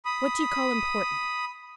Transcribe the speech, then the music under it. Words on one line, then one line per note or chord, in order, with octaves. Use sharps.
"What do you call important?"
B5 D#6